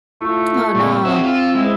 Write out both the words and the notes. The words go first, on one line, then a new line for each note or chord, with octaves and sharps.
Oh no.
A3 E4 F4
A#2 C4 C#6
C4 E4 F#4 G#4 E6
F4
G#3 E4